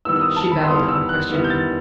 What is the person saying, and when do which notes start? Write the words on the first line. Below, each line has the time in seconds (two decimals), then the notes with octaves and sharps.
She babbled out a question at him.
0.05 D#3 G3 B3 E4 E6
0.16 E6
0.21 D#6
0.36 A5
0.52 B5
0.64 C6
0.68 D#3 G3 B3 E4 D#6
0.88 E6
1.09 F#6
1.30 D#3 G3 B3 E4
1.44 G6
1.50 A6